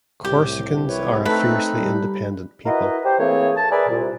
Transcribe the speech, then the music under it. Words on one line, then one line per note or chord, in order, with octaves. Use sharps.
Corsicans are a fiercely independent people.
C2 A2 G4
E4 B4 C#5
A3 C4 D#4 B4 A5
G3
E4 F#4 A#4 B4 D#5
G4 C5
E3 A3 A#3 C4 G#4 C#5
A5
G#4 A#4 B4 D5 E5 G#5
C2 A#2